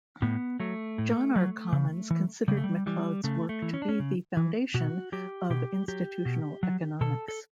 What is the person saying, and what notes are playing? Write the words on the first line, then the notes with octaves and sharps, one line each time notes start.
John R. Commons considered Macleod's work to be the foundation of Institutional economics.
A2 B3
F#3 A3
A2
F#3
C#3
E3
C#3 G3
A3
G3
E3 G3
C#3 A3
A3
E3
C#4
D4
C#4
C#3
E3
B2 F#4
F#3 G4
B2 G4
F#3 G4
B2
F#3
B2 A4
A4